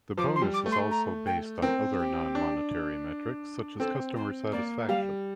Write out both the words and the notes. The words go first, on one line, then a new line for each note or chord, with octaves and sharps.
The bonus is also based on other non monetary metrics, such as customer satisfaction.
F3 D6
C6
G3
D6
A3
C6
A#5
G5
C4 A#4
G4
D4
C4 A4
C5
A#3 D5
G3 F5